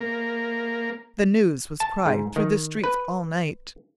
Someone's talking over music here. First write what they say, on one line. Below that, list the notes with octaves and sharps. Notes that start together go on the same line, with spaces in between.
The news was cried through the streets all night.
A#3
A5
G#2
D#3
B4